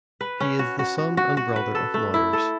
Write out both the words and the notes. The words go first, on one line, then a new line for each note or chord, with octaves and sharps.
He is the son and brother of lawyers.
B4
C#4
F#4
F#4
F#4
F#4
F#4
B4
A4
A3
E4
A4